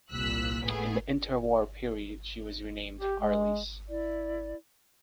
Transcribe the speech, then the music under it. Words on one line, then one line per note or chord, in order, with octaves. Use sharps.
In the interwar period she was renamed "Arlis".
C2 A#2 E6 F#6 B6
A2 A3 B3 G#4
G4
G#3
E4 D5